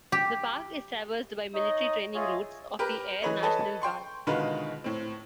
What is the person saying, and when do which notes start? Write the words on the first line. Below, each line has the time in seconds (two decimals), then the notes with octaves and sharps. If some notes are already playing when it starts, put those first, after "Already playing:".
The park is traversed by military training routes of the Air National Guard.
0.12 G4
1.54 D#4 C#5 D#5
2.14 F4 G#4 C#5 D#5 E5
2.79 G4 A#4 B4
3.22 E3 G#4 B4 C#5 D#5
3.42 G#4 A4 B4 C#5 D#5 A5
3.82 G5 C6 C#6
4.27 B2 D3 D#3 G#3 F4 B4
4.84 A2 C4